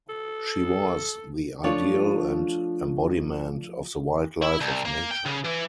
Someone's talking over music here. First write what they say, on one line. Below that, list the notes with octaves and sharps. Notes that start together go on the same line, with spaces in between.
She was the ideal and embodiment of the wild life of nature.
A4
F3 A3 D4 F4 C#5
E4
C2
A#3
G5
C#3
E3